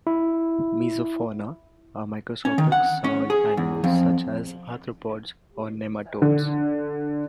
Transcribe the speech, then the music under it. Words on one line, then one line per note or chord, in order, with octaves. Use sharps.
"Mesofauna" are macroscopic soil animals such as arthropods or nematodes.
E4
C#4
D#3
F#5
C#4
G#4
E2
F2
D3